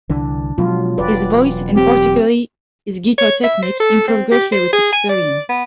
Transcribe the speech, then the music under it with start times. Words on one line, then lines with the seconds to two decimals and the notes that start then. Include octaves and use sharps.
His voice, and particularly his guitar technique, improved greatly with experience.
0.10 C2 D3 E3 D4
0.58 B2 F3 F#3 G#3 F4
0.98 E1 F#3 B4 D5
1.76 C4 G4
3.18 C#5
3.43 E5
3.62 C5
3.79 A4
4.07 C4
4.31 G4
4.52 C5
4.72 G#4
4.92 G#5
5.09 D5
5.49 B3